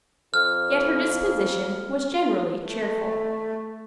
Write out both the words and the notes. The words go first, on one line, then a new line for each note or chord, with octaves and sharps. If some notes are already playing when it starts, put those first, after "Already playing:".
Yet her disposition was generally cheerful.
F2 F6
A3